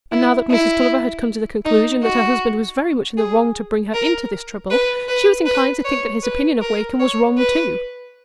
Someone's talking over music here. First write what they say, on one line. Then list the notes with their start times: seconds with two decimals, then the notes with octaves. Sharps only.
And now that Mrs. Tulliver had come to the conclusion that her husband was very much in the wrong to bring her into this trouble, she was inclined to think that his opinion of Wakem was wrong too.
0.12 E4
0.51 E4
1.65 D#4
2.03 F#4
3.18 G#4
3.94 A#4
4.71 B4
5.08 B4
5.46 B4
5.85 C#5
6.23 B4
6.61 A#4
7.00 C#5
7.38 B4